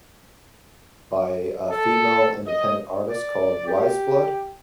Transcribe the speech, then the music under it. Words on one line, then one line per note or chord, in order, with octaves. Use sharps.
by a female, independent artist called Weyes Blood.
A4
D#5
D5
G4